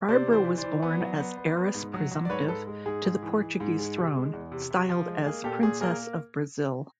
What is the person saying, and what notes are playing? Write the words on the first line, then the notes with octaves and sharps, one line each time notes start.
Barbara was born as heiress-presumptive to the Portuguese throne, styled as Princess of Brazil.
C3 C5 D5
E3
C5 D5
E3
C5 D5
E3
B3
F#3
B3
B3
B3
G#2
F#3
F#3
D5
G#2 B4 C#5
G#2 A4 B4
G#3
G#2 G#4
G#2
E3
E3
G#2
G#3
C3
G#3
E2
C3
C3
F3
G#3
A#3 G#4
A#2 G4 A4
A#2 G#4
A#3 G#4 A#4